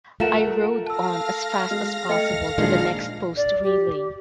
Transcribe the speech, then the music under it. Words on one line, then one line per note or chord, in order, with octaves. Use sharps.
I rode on as fast as possible to the next post relay.
A3 F4 A#4 F5 F#5 E7
F5 A5 E6 F6 A#6
G#3
A3 D#5 G5 C#7
A#2 D#3 F3 G#3 D4 C7 C#7
D5
G4